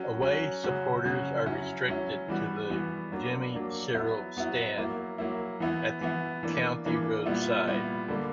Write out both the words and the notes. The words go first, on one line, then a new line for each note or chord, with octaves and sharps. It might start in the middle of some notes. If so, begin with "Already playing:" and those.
Away supporters are restricted to the Jimmy Sirrel stand, at the County Road side.
Already playing: F#3 C#4 F#4
F#3 C#4 F#4
C#3 F#3 C#4 F#4
C#3 F#3 C#4 F#4
F#3 C#4 E4
F#3 C#4 E4
E3 G3 B3 F#4
E3 G3 B3 F#4
F#3 A#3 D4
F#3 A#3 D4
F#3 B3 E4
F#3 B3 E4
F#3 A#3 E4
F#3 A#3 E4
E3 B3 E4
E3 B3 E4
E3 A#3 D4
E3 A#3 D4
A#2 G3 B3 E4
A#2 G3 B3 E4
D3 G3 A#3